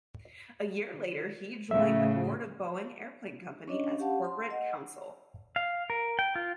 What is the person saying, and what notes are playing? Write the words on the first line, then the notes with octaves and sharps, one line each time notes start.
A year later he joined the Board of Boeing Airplane Company as corporate counsel.
A2 C#3 E5
C#4 D4 C#5 D#5
C#4 G4 F5 F#5 A5
C6
D#5 F#5
F5
A#4
G5
F4